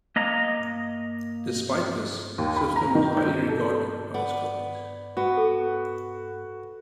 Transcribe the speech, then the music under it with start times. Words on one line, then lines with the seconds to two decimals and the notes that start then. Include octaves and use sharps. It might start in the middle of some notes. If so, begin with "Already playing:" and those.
Despite this, Sifton was highly regarded by his colleagues.
0.16 A#3 D#5 A#5
2.38 D#2
2.56 B5
2.76 A#5
2.95 D#3
3.17 G6
3.48 A4
4.14 B3 D5
5.17 B3 F#4
5.37 A4